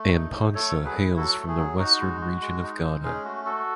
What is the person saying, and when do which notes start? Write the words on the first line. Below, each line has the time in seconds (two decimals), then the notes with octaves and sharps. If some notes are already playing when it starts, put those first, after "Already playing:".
Amponsah hails from the Western Region of Ghana.
Already playing: A3
0.12 D#4
0.34 A3
0.54 A3 A4 C#5
0.75 F#3
0.85 G#4 B4
0.97 E4
1.16 F#3 F#4 A4
1.38 A3
1.48 G#4
1.58 F#3
1.79 D#4 F#4
2.00 G#3
2.21 F#4
2.41 G#3
2.63 D#4
2.83 G#3
3.04 C#4 G#4
3.24 A3 F#4
3.45 F#4 A4